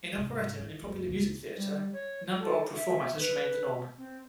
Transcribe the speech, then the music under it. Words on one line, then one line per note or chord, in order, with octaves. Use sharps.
In operetta and in popular music theatre, number opera format has remained the norm.
G#2 C3
E3
F#1 F#2
C#2 A#2
G3
C#5
A4
E5
B4
C4